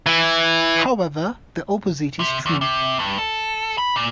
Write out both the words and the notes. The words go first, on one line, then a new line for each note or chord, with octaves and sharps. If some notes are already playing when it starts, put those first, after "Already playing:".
However, the opposite is true.
E3 E4
C3
E2
C3
G2
A4
B5
A#2